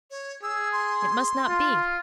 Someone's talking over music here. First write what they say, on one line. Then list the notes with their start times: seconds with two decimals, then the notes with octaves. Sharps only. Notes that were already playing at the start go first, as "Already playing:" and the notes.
It must not be!
0.11 C#5
0.43 G#4 E6
0.72 C6
1.49 F4